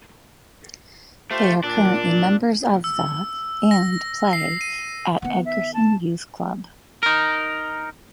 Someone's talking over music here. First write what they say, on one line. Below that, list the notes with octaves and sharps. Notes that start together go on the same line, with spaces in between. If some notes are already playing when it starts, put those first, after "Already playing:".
They are currently members of the and play at Egerton Youth Club.
A3 F4 G4 C5
A#2 D4
E6
A#6
C7
D#7
D#3 B3 F#5
E5
A5
D#4 A#4